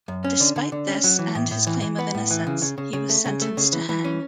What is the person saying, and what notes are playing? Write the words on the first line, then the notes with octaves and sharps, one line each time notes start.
Despite this and his claim of innocence, he was sentenced to hang.
F#2
C#4
D3
D3
D3
C#4
F#3
E3
A2
A2
E3
E3
B3
A2
E3
C#3
C#3
C#3
C#3
A3
C#3
A3
C#3
E3
E3
C#4